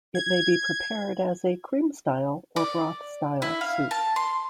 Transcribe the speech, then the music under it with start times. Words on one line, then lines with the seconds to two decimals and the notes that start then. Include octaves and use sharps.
It may be prepared as a cream-style or broth-style soup.
0.15 G#6
2.56 D5
3.42 E4
3.61 F5
3.91 A5
4.16 C6